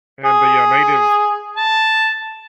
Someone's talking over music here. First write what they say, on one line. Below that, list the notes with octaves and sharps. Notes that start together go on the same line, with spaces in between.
and the, uh, Native
G#4
A5